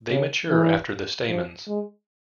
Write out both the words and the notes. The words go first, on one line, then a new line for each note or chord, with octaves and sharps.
They mature after the stamens.
C#3
E3
F3
G#3